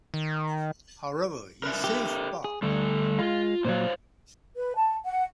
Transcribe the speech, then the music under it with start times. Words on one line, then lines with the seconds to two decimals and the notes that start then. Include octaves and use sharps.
However he saved par.
0.14 D#3
1.63 A#4 B4 E5
1.84 G4
2.44 G#4
2.63 D2 G3 A4
3.19 G#3 F4 F5
3.65 A#2 D3 F#3 C5 C#5 F5
4.56 B4
4.76 A5
5.05 F#5